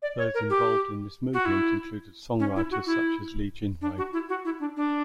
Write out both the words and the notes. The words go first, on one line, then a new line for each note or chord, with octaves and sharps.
Those involved in this movement included songwriters such as Li Jinhui.
D5
C#5
A#4
G4
F#4
E4
C#4
E4
F#4
E4
D4
F#4
E4
F#4
E4
D4
D4